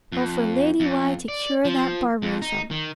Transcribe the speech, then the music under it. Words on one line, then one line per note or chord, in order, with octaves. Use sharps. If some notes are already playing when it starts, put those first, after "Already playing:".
Oh for Lady Why to cure that barbarism!
F2
F2
D5
F3
F2
D#4
D#3